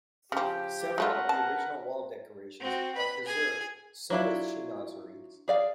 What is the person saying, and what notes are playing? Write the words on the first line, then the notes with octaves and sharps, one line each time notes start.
Several of the original wall decorations are preserved, some with Chinoiseries.
C#3 F3 G4
G#3 A3 F4 A#4 B4 F#5
A5
C4 F#4
B4 B5
G#4 G#5
F#3 D4 E4 F4
G#4 D5 F5